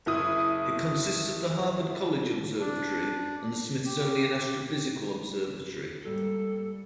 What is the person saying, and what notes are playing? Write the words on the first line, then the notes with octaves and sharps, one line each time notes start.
It consists of the Harvard College Observatory and the Smithsonian Astrophysical Observatory.
F#1 E4 D#6
D4
G4
G#2 G3 A#3 A4